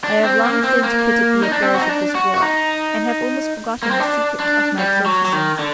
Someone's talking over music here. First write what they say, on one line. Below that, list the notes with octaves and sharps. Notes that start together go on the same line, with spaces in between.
I have long since quitted the affairs of this world, and have almost forgotten the secret of my exorcisms.
D4
C4
A#3
C4
A#3
D#4
D4
C4
F#4
D#4
D4
F#4
F#4
D#4
A#3
C4
D4
D4
G3
F#3
F#3
D#3
D3